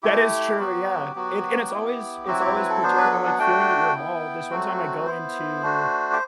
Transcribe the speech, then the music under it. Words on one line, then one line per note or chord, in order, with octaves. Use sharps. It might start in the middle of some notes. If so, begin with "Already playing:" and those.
That is true, yeah, it and it's always it's always perturbed I'm like, feeling at your mall. This one time I go into
A3 E4 G4
F#3 B3 F#4
F#3 B3 F#4
B3 E4
F#3 C4 E4 F#4
G4
B4
A4
F#3 B3 D4 C5
B4
A4
F#5
A3 D4 F#4 G5
B3 E4
F#3 A3 C4 F#4
B3 E4 C5
A3 D4 F#4
G4